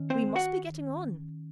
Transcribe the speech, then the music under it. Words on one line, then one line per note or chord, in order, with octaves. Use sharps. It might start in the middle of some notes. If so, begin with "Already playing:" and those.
We must be getting on.
Already playing: D#3 C#4
C4 C5
F#4 F#5